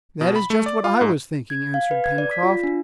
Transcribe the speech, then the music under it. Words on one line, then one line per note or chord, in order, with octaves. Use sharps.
"That is just what I was thinking," answered Pencroft.
B2
B5
A3
D5
F4
G#2
G#6
F5
B4
G#6
D5
B6
F4
D4